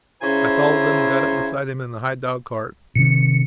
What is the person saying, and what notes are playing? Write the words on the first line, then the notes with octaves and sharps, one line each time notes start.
I followed him and got up beside him in the high dog-cart.
C#3 E4 C5 G#5 A#5
C3 D#3 C#7